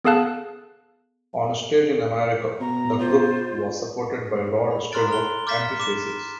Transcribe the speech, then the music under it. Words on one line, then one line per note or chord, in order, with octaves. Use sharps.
On stage in America, the group was supported by Rod Stewart and the Faces.
B3 G#4 A4 F5 A5 F#6
B2 A#5
F4 C5
B5
A#5 C6 F6 F#6 A6 D7
F7 G7
D6 F6 G6 A6 B6 E7
D6 E7